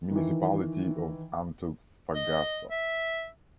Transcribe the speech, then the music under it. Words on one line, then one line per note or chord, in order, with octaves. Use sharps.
Municipality of Antofagasta.
D#3 E3
D#5
E5